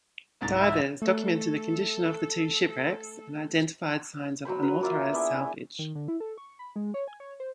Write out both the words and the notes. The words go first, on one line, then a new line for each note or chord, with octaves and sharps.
Divers documented the condition of the two shipwrecks, and identified signs of unauthorised salvage.
C2 G#2 A6
E5
A3 A4
F#3 F#4 C5 B5
B4
A#3 F4 E5 D#6
B3 D4 E4 G#4
D#3
D3
E4
A4
C#6
B5
G#3
C#5
G#5
C#5
C5